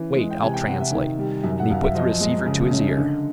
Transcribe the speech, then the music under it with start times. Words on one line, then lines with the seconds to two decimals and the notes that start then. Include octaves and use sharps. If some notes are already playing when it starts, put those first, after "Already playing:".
"Wait, I'll translate," and he put the receiver to his ear.
Already playing: E3 C#4
0.17 G#3
0.31 G5
0.42 C3 G#5
0.54 G5
0.68 C3 F#5
0.81 E5
0.92 D#3
1.18 G3
1.44 F#2
1.60 F#5
1.70 F#2 F5
1.84 E5
1.95 F3 D#5
2.20 G#3
2.46 C#3
2.71 C#4
2.97 D3